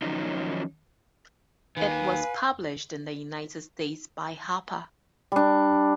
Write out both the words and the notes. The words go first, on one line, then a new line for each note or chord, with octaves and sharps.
It was published in the United States by Harper.
D#3 F3 F#3 C#4 D#4
D#2 D#3 B4 F5 G#5
G3 D4